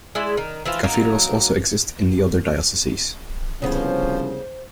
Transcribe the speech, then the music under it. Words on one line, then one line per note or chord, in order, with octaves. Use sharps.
Cathedrals also exist in the other dioceses.
G#3 E4 D5
D#3
E3 F3 E4 F4
F#3 A#3 D#4
C2 C#3 F3 B3 C#4 C5